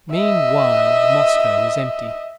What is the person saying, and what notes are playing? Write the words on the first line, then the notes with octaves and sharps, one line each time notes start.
Meanwhile Moscow was empty.
D#5 E5